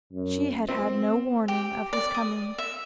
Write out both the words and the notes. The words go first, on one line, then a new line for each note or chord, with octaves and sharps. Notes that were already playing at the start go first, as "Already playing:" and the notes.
She had had no warning of his coming.
F#2
C4
G4
D5
D#6
E5